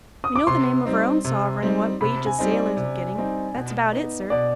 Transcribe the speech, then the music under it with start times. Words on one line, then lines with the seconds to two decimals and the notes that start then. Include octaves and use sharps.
We know the name of our own sovereign and what wages sailors are getting; that's about it, sir.
0.24 D#6
0.36 D6
0.47 C3 C6
0.85 G3 C4 D#4
1.25 C3
1.62 G3 C4 D#4
2.01 C3 B5
2.26 G#5
2.39 G3 C4 D#4
2.51 D5
2.77 C3
3.15 G3 C4 D#4
3.55 B2
3.93 B3 D#4
4.30 B2 D5